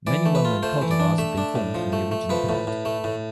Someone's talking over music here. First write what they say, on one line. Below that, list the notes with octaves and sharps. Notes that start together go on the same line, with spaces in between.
Many well known cultivars have been formed from the original plant.
E3 D5
A3
B4
F4
A3 C5
E3
D5
D4
A3 E5
D4
A2
F3
A3
A3
F3 B4
A2
A2
A3
A2